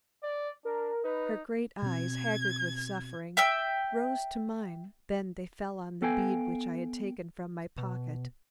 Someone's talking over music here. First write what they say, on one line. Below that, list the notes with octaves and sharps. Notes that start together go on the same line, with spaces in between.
Her great eyes, haggard with suffering, rose to mine, then they fell on the bead which I had taken from my pocket.
D5
D4 A#4
D#4 B4
B2 C4 G#6
E5 G5 E6
B3 A4 F5 G5 G#5
B2